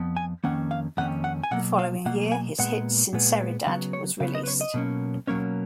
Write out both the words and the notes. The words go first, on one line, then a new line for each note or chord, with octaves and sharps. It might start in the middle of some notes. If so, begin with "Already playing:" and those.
The following year his hit "Sinceridad" was released.
Already playing: F2 F3 B3
G#5
F2 D#3 A#3 C#4 F#5
F5
F2 D#3 A#3 C#4 F#5
F#5
G#5
B2 F#3 A#3 F#5
F5
B2 F#3 A#3 F#5
G#5
A#2 G#3 B3 F#5
A#2 G#3 B3
C#3 F#3 B3 F5
C#5
C#3 F#3 B3 F5
D#5
B4
C#5
D#5
B2 F#3 A#3 C#4
B2 F#3 A#3 C#4 C#5